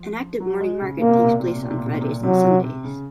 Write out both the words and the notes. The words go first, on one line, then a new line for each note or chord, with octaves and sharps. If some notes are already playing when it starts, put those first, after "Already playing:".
An active morning market takes place on Fridays and Sundays.
Already playing: F3
F#3
G#3
C#3
A#2 A#3
C3
A#2
C3
A#2
C3
A#2
C3
A#2
C3
A#2
C3
A#2
C3
A#2
C3 F#3
C3
C3
C#3